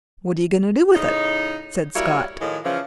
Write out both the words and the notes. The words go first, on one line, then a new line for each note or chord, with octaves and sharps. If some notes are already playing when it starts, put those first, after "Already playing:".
'What are you going to do with it?' said Scott.
A2 C#3 D#4
F#3 G3 A#3 E4 C#5
A2 D#3 F3 G#3
C#3 E3 F3